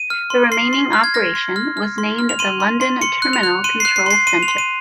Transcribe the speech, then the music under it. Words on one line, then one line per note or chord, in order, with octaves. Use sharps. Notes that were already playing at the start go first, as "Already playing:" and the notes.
The remaining operation was named the London Terminal Control Centre.
Already playing: D#7
F6
C6
C6 C7
C6
F6
G#6
F6 A#6
C6
F6
F6
C6
F6
F7
C6 D#7
C6
C6
C6 C#7
F#6
F7
F#6
C6 D#7
F#6 C7
C7
C6 C7
C6 D#7
F7
C6
D#7